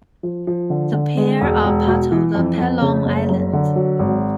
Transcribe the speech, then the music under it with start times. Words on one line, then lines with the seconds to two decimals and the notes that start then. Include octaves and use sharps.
The pair are part of the Pelham Islands.
0.23 F3
0.47 F3
0.70 D3
0.93 D3
1.17 G#3
1.41 E1
1.64 E1
1.87 B2
2.12 E3
2.35 F2
2.58 F2
2.81 C#3
3.05 F#1
3.29 F#2
3.53 D3
3.76 F#3
3.99 G#1